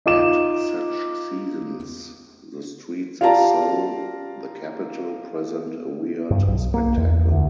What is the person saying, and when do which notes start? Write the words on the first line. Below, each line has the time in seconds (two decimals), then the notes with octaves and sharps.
At such seasons, the streets of Seoul, the capital, present a weird spectacle.
0.06 D#4 F4 D6 E7
3.21 F4 G4 D5 F5 A5 A#5
6.31 G2
6.48 B1
6.74 A#3
6.97 E2
7.31 D2